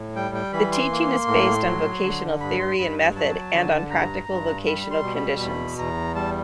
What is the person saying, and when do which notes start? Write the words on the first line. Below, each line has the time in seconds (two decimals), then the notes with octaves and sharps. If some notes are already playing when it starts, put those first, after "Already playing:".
The teaching is based on vocational theory and method and on practical vocational conditions.
Already playing: A2
0.16 G3 G5
0.35 G5
0.53 E3 B5
0.72 C6
0.91 A#3
1.28 A2
1.65 F#3
2.03 D3
2.40 G2 B5
2.59 C6
2.78 G2 B5
3.15 F#3 A5
3.53 D3
3.90 G2 A#5
4.28 G2
4.66 G3 B5
4.91 C6
5.03 B2
5.16 B5
5.40 E2 B5
5.78 E2 A#5
6.15 G3 A5